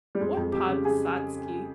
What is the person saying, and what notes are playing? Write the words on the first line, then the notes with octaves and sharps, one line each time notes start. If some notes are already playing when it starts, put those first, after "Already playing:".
"What Podvysotsky?"
G3
F2 G#3
F2
F2 G4
C#3
C#3 G#4